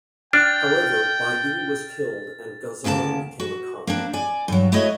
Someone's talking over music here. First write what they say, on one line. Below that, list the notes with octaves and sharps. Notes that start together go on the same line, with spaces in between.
However, Baidu was killed and Ghazan became a khan.
D4 G5 F6 A6
D2 C#3 A#3 A4 A5
F#4
A#3 C4 D4
D5 G#5
G2 F#3
A3 E4 F#4 C#5 D#5